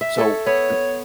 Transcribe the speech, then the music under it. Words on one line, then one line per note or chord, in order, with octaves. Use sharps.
So the
E5
A4 C#5
B3 C#5